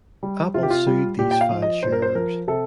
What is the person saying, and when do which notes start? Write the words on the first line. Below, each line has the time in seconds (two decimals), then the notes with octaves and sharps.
Apple sued these file sharers.
0.23 G3
0.54 C3 F4
0.63 G4
0.70 F4
0.87 G3
1.19 A#2 G4
1.31 G5
1.41 F5
1.51 F3
1.62 D#5
1.83 A#2 C5
1.92 A#4
2.02 C5
2.15 F3 A#4
2.48 C3 A4